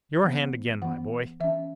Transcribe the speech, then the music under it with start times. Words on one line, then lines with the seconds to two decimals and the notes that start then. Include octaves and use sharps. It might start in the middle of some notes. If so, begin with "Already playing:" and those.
Your hand, again my boy!
0.23 E3 B3
0.82 E3 B3 F#5
1.40 E3 C#4 E5